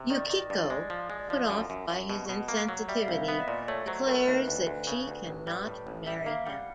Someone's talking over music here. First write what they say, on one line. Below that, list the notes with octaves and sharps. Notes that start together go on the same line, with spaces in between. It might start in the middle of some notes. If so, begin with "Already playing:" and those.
Yukiko, put off by his insensitivity, declares that she cannot marry him.
Already playing: C3
D#3 D5
D#3 D#5
G2 D5
G#3
F3
G#3
D5
F3 D#5
F#2
F#2
F#2
B2
B2
A#3
F#3
G3 E5
F5
C2 E5
B3
D#5
A#2 D5
A3 C#5
F#3 C5
A3 A#4
D#2 B4
D2
D2
C#3
D2
A1
G3
A2
A1
G3 E5
A#3 F5
G3 F#5